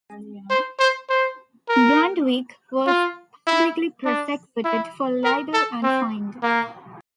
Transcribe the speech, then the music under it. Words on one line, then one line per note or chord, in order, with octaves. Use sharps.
Grundtvig was publicly prosecuted for libel and fined.
C5
C5
C5
A#4
F4
E4
D4
E4
A#4
A4
C4
A#3